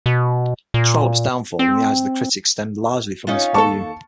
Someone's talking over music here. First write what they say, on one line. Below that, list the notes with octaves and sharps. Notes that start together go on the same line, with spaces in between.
Trollope's downfall in the eyes of the critics stemmed largely from this volume.
B2
A#2
C4
C#4 D#4 F4
D#2 F#4 A4 A5 C#6